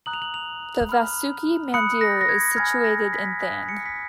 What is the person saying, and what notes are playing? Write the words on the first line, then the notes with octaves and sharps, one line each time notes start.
The Vasuki Mandir is situated in Than.
A#5 D#6 F#6 F#7
F7
F#7
F7
B5 F6
B5 D#6 F#6 C#7
A#6
A#6
G#6
G#5 B5 F6 G#6
A#6
B6
G#5 D#6 F#6 B6
B6
C#7
B6